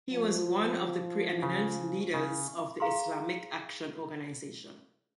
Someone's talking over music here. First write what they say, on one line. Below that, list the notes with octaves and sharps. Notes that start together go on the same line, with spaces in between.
He was one of the preeminent leaders of the Islamic Action Organisation.
F3
C#3
C#3
G#4 F5 A#5 C6